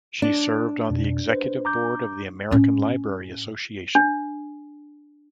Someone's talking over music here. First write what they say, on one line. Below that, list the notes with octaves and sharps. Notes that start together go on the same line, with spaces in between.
She served on the executive board of the American Library Association.
D4
F2 B2
B4 C5
A#5 D6 G6
A2 C#4
D4